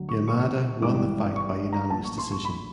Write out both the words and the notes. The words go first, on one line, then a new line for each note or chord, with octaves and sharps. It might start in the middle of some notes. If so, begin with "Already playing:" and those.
Yamada won the fight by unanimous decision.
Already playing: D2 D3 F#3
C#6
C#6
G#1 G2 E3 G3 D6
C#6
A#5
A#1 A2 F3 A5
C#6
C6
C#6
B5